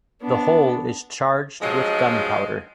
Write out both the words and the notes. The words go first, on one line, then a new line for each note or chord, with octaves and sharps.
The hole is charged with gunpowder.
B3 D4
G2 F3 F#3 G#3